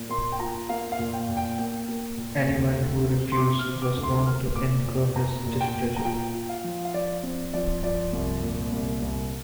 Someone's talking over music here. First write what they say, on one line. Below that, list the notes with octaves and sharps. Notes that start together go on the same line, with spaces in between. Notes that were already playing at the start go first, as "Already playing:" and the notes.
Anyone who refused was known to "incur his displeasure".
Already playing: A#2
A#3 C6
G5
F4 A#5
A#3 F5
F5
A#2
G5
A#2
G5
A#3 G5
A#3
A#2
D2
D2
C4
C6
C3 D6
F6
C4
D6
D2
C6
A#3 F6
A#2 D6
A#2
A#2 A#5
A#2
G5
A#2
A#5
F4 G5
F4
F5
F3
F5
F3 D5
C4
F3 D5
F3 D5
C2
A#2
C2
C2